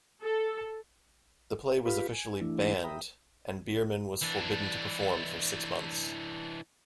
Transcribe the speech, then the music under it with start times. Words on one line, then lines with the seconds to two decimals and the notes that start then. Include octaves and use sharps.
The play was officially banned and Biermann was forbidden to perform for six months.
0.23 A4
1.86 F4 G4 B4 F5 B5
2.12 G#5
2.41 E3 A3 D4 E4
2.84 E5 G5 A#5 B5 D#6
4.22 E3 D4